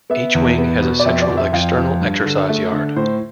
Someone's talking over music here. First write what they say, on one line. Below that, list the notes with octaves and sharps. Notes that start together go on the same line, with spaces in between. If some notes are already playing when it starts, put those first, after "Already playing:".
Each wing has a central external exercise yard.
B3 E5
E2
B3
B2
D5
F2 E5
D5
F2
E5
F2 F5
F2
G2
D3
A3 E5
D3
A2 C5